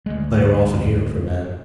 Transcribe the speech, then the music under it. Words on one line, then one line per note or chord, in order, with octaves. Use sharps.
They are often here for men.'
D2 G#3